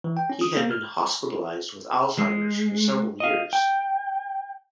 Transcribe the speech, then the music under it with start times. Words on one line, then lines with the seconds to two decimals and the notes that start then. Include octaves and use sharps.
He had been hospitalized with Alzheimer's for several years.
0.04 E3
0.17 G5
0.30 C#4
0.41 D#6
0.57 A#3
0.71 F6
2.18 G#3
3.20 D#5 F5
3.53 G5